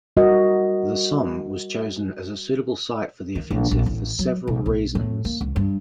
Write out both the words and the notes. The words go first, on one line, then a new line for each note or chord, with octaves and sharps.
The Somme was chosen as a suitable site for the offensive for several reasons.
G3 F#4 A#4 D#5
D#3
A#1
A#1
A1
F#3
B1
B1
A2
A#3
C#2
G2